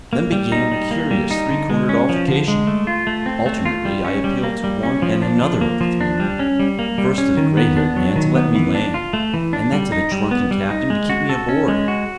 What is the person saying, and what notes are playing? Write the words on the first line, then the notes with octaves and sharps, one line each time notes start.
Then began a curious three-cornered altercation. Alternately I appealed to one and another of the three men,--first to the grey-haired man to let me land, and then to the drunken captain to keep me aboard.
A#3
G3
D#4
G3
A#3
G3
D#4
D3
G#3
C#4
F3
D3
G#3
A3
F4
A3
C4
A3
F4
G3
C#4
G3
A#3
G3
C#4
F3
D4
F3
A#3
F3
D4
G3
C#4
G3
A#3
G3
C#4
D#3
B3
D4
F#3
D#3
B3
E3
D4
F4
A3
E3
D4
G3
D#4
G3
B3
G3
D#4
G#3
F#4
A4
C#4
G#3
F#4